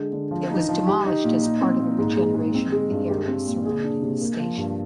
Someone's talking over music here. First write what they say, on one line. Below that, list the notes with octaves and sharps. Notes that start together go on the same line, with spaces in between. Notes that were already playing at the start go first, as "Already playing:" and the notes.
It was demolished as part of a regeneration of the area surrounding the station.
Already playing: D3 G#3
D3
F3
D#4
F3
G4
D#4
A#2
D#4
C4
A#2
G#2
G#3
G#2
C4
G#3
G2
G4
C4
A#2
G#4
D4
C3
A#3
F3
G2